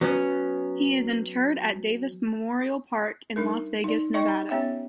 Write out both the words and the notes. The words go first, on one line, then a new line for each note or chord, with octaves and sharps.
He is interred at Davis Memorial Park in Las Vegas, Nevada.
F#3 B3 C#4
G3 D4 D#4 A#4
D#4 D5
D#4 D5 D#5 G5 C#6
A#5
B3 C#4 G4 C#5 E5 G5